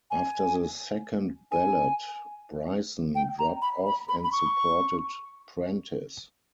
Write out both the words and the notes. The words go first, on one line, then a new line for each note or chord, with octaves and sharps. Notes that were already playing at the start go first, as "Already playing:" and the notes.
After the second ballot, Brison dropped off and supported Prentice.
G#5
G#5
G5
A#5
B5
B5
B5
B5
C#6